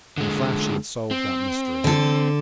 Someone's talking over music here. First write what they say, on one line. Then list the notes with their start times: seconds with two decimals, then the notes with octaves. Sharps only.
In a flash he had solved that mystery.
0.18 D3 G#3
1.11 C4
1.84 D3 A4